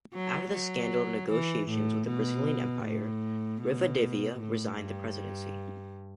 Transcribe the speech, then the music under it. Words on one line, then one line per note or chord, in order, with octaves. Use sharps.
After the scandal of negotiations with the Brazilian Empire, Rivadavia resigned the presidency.
F#3
F#3
E3
A2
B2
A2
B2
A2
G2